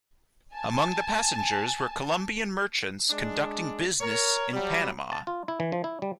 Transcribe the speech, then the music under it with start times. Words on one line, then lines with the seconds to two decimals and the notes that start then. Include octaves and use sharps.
Among the passengers were Colombian merchants conducting business in Panama.
0.54 G#5 A5
3.10 G#3 D4
4.01 A#4 C#5
4.53 F#3 G3
5.12 A5
5.27 F4
5.48 E4
5.60 E3
5.72 F3
5.84 E4
6.02 G3